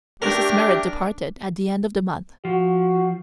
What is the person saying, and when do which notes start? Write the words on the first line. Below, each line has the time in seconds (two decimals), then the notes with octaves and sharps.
Mrs. Merrit departed at the end of the month.
0.22 A3 D4 G4 A#4
2.45 F3 F#4